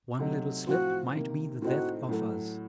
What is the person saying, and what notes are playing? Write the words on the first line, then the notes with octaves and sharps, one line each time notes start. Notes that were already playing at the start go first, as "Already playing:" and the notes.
One little slip might be the death of us.
C3 F#3 A3 D#4
A2 F3 C4 F4 F#4
C3 D#3 A#3
A2 A3 C4 D#4 F#4
A2 F#3 A3